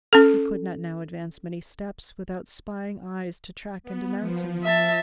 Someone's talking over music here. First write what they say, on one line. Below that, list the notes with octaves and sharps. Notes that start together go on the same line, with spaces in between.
He could not now advance many steps, without spying eyes to track and denounce him.
C#4 A4
B3
F3
E5 A5